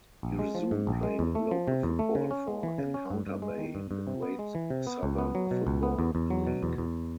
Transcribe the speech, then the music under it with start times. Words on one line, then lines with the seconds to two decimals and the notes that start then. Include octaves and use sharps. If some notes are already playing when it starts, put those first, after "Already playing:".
He resumed playing local football for Encounter Bay in the Great Southern Football League.
0.23 A#1
0.39 G#3
0.55 F3
0.71 G#2
0.87 A#1
1.03 G#3
1.19 E2
1.35 A3
1.51 F3
1.68 C3
1.83 E2
1.99 A3
2.15 C#3
2.31 C#4
2.48 G#3
2.63 E3
2.78 C#3
2.94 C#4
3.10 G2
3.27 G2
3.42 G#3
3.58 D#3
3.75 G2
3.91 G2
4.07 C3
4.22 B3
4.39 G#3
4.55 E3
4.70 C3
4.87 B3
5.03 C#2
5.18 B3
5.35 F#3
5.51 B2
5.67 C#2
5.83 B3
5.99 E2
6.15 E2
6.30 F#3
6.47 B2
6.63 E2
6.78 E2